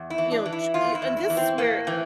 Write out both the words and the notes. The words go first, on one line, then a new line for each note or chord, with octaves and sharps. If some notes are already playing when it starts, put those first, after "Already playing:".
you know, t and this is where,
Already playing: E2
E4
E3
D4
E3
E4
E2 F4
E4
E2
E4
E3
C4
A2 A#3
E3 C4